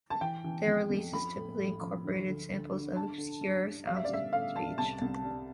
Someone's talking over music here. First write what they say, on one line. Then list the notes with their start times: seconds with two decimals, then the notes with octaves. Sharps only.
Their releases typically incorporated samples of obscure sounds and speech.
0.10 A5
0.21 E3 G5
0.44 E3
0.67 F2
0.90 F2
1.13 F3 B5
1.36 A2
1.58 A2
1.81 F3
2.04 D3
2.27 D2
2.50 D2
2.73 D3
2.95 D3 A5
3.18 D3
3.41 G2
3.64 G2
3.87 G3 F5
3.96 E5
4.04 D5
4.09 G3 E5
4.33 A2 F5
4.55 A2 A5
4.78 C2 A5
5.01 C2
5.24 G3